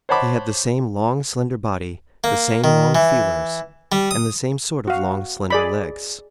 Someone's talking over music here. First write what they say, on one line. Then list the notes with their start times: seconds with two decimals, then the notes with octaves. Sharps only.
He had the same long, slender body, the same long feelers, and the same sort of long, slender legs.
0.09 C5 C#5 F#5 A5 B5 D6
2.24 A#3
2.64 D#3
2.95 E3
3.92 G3
4.11 D#6
4.88 F#4 F5
5.50 G#4 D5 B5